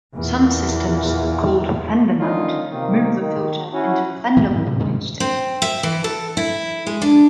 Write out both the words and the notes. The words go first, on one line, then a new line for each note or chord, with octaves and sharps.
Some systems, called "fender mount," move the filter into the fender wall instead.
E2 A#2
D3 D#3 C#4 D#4 F4
C3 D#3 A#3
D#3
C#4 E4 F#4
F#2 A#2 E3
G#2 D#3 F#3
A2 C3
G2 C3 D#3 G#3
C4
E5
E3
A4
E4
G#3
D4